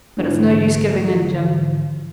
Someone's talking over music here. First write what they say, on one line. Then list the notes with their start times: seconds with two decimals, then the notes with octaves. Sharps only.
But it's no use giving in, Jim.
0.17 G#2 D3 E3